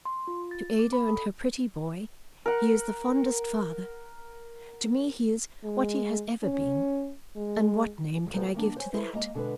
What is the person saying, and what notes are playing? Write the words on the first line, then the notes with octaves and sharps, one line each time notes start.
To Ada and her pretty boy, he is the fondest father; to me he is what he has ever been, and what name can I give to that?
C6
F4
A6
D6
B5
A4
A#4 F#5
G#3
C#4
G#3
D2 F3 B3 A4 C5 A#5
D#3 A#3 D4
C5 C#5 G#5
E4 A4 B4 C5 E5
G#3 A#3 D#5 A#5
B2 D3 G#3 B3 B4